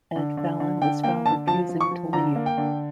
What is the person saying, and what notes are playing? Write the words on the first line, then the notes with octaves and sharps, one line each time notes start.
Ed Fallon was found refusing to leave.
D3
D3
D3
D3 G5
A#3 G5
D3 A5
F3 A5
F3
C#6
F3
D3 A#5
A#3
G5
D3